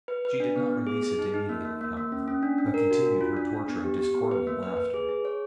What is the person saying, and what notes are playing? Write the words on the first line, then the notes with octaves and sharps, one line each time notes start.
She did not release it immediately however, but continued her torture and discordant laughter.
B4
B4
D4
B3
B3
G#4
G#4
D#4
D#4
A#3
A#3
A#3
A#3
C#4
C#4
D4
D4
A#4
F#4
D4
F4
D4
D4
B3
G4
G4
B3
B4
A#3
B4
B4
G#4
G#4
C#5